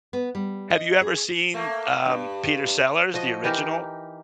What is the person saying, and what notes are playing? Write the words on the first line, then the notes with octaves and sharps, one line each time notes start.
Have you ever seen, um, Peter Sellers, the original,
B3
G3
D#5
G#4
A3 A#3
G2
F3 F#4 D#5
E3 D#4 G4 A#4